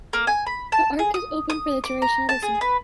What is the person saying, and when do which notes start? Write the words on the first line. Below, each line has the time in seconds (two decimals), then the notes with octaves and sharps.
The ark is opened for the duration of the song.
0.13 A#3
0.27 G#5
0.46 B5
0.72 A5
0.99 G#4
1.14 D#6
1.50 D#6
1.84 D6
2.02 A#5
2.29 A5
2.42 G#4
2.61 B4